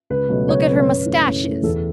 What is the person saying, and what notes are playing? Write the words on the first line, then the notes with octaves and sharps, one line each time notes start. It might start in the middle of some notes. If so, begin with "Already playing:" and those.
Look at her moustaches!
C#2 B4
B2 F#3 A3
C#2 C#5
B2 F#3 A3 B4
C#5
F#2
B4
E3 A3
F#2
E3 A3
E2 A4